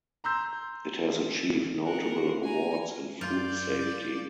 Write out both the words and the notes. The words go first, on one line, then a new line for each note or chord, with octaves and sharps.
It has achieved notable awards in Food Safety.
A#5 C6 E6 G6
A#4 F#5
G#5 A#5
F#2 F4 D5 G6